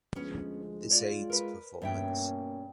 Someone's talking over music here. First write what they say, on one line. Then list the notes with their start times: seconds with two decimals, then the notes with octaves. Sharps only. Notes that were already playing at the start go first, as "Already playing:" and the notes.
This aids performance.
0.15 D2 F3 G#3 B3 C#4
0.91 G#3 F4 C#5 D5
1.30 A#4 B4
1.82 G2 B2 A#3 C#4 E5 G5